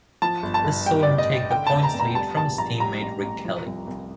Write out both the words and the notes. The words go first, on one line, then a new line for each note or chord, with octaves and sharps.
This saw him take the points lead from his team mate Rick Kelly.
F3 A5
G1
A5
G1
G3 G5
A1 D5
D#5
A1
D3 G5
A5
F1
A#5
F1
A#5
G3 A5
A#1 A5
A#1 A#5
G3 A#5
A1
A1
F3
C2
C2